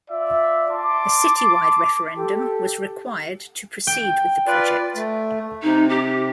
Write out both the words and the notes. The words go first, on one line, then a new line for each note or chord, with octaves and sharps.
A citywide referendum was required to proceed with the project.
F4 D5 E5
A5 C6 D6
G4 A4
G5
F4 B4 D5
A3
C3 D#4
G4